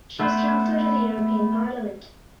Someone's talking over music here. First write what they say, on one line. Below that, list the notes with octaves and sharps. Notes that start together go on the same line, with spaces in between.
She was counsellor to the European Parliament.
A3 B3 E4 B4 C5